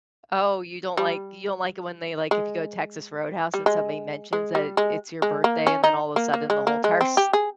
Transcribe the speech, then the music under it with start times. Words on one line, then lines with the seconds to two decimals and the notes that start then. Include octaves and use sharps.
Oh, you don't, like you don't, like, it when they, like, if you go to Texas Roadhouse and somebody mentions that it's your birthday and then all of a sudden the whole entire s
0.97 G3
2.31 G#3
3.54 G3
3.66 G#3
4.33 G#3
4.55 G3
4.77 G#3
5.22 G#3
5.44 A#3
5.67 C#4
5.84 D#4
6.16 A#3
6.34 A#3
6.50 G#3
6.67 A#3
6.84 G#3
7.01 C4
7.17 G4
7.33 G#4